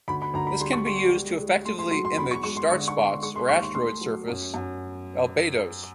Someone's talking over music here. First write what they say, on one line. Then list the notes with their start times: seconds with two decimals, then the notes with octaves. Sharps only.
This can be used to effectively image starspots or asteroid surface albedos.
0.08 D2 B5
0.22 B5
0.34 D2 A#5
0.47 B5
0.60 G3 C6
0.73 C#6
0.86 G3 C6
1.13 G#3
1.39 G#3
1.65 A3 C6
1.79 C6
1.91 F#3 C6
2.05 C6
2.17 E2 B5
2.31 C#6
2.44 G#3 C#6
2.57 C6
2.70 D3 C#6
2.88 C#6
2.96 G#3
3.06 C6
3.23 G#3 C#6
3.36 C6
3.49 D#2 C#6
3.62 C6
3.74 A3 C6
4.01 F#3
4.28 F#2
4.54 F#2